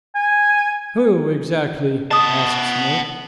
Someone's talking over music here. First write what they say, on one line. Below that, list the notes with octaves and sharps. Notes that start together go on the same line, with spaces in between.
"Who, exactly?" asked Smith.
G#5
B3 D#5 A5 D#6